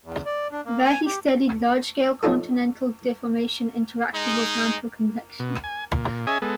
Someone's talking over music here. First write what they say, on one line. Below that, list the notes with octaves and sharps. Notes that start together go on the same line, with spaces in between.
There he studied large scale continental deformation interacting with mantle convection.
E2
D5
D4
A#3
G#5
G4
F3 C#4 D#4 F4 A4
G#3 D#4
B2
G#5
A#2
C#4 G#4 D#5 E5 G#5
G#3 B3 A4